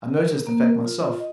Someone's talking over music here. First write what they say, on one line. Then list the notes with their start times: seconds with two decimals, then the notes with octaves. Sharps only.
'I noticed the fact myself.'
0.23 A#4
0.47 A#3
0.66 A#4
0.86 F4
1.19 D#5